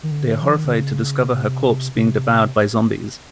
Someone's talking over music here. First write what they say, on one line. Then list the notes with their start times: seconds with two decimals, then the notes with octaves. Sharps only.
They are horrified to discover her corpse being devoured by zombies.
0.03 D#3
0.11 D3
0.42 F3
0.50 E3
0.57 D#3
0.65 D3
0.73 C#3
1.34 C3
1.95 C3